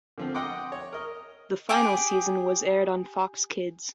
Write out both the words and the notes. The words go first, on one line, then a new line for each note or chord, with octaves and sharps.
The final season was aired on Fox Kids.
D3 F3 C4
D#5 F#5 G5 C6 D6
C#5
A#4 D#5
G4 G#4 D6